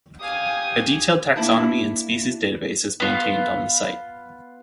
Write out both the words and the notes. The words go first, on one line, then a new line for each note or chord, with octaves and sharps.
A detailed taxonomy and species database is maintained on the site.
G4 F5 G#5 D#6
A#3 B3 D4 E4 E5 A5
B3 F4